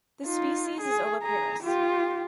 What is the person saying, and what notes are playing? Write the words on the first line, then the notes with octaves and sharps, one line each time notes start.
The species is oviparous.
D#4 F4
G#4
G#4 A#5
F4 G4